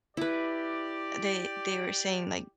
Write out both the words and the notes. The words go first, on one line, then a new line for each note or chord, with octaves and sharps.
they they were saying, like,
E4 G4 B4 D5